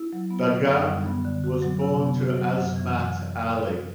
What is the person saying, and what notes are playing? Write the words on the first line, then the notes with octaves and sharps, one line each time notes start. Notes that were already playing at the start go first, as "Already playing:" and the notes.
Begum was born to Azmat Ali.
Already playing: E4
F#3
B3
D3
F#2
G3
B3
D3
F#4
F#3
C3
B3
F#4
F#3
F#2
E3